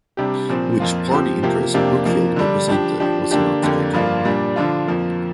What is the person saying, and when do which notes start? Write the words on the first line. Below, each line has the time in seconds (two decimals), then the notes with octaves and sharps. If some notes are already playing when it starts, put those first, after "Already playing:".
Which party interest Brookfield represented was not straightforward.
0.17 C3 G3 D4 G4
0.49 A#2 F3 C4
0.80 F2 F3 A#3 F4
1.11 F3 C4 G4
1.43 C3 F3 A#3 G4
1.74 F2 C3 A#3 D4 G4
2.05 F2 F3 A#3
2.36 D3 G3 D4
2.68 F3 D4 G4
3.00 F3 D4 G4
3.31 D3 A#3 D4 G4
3.62 F2 D3 A#3 G4
3.93 G2 F3 A#3 D4 F4
4.25 A#2 G3 D4
4.56 D3 F3 D4 F4
4.87 F2 F3 A#3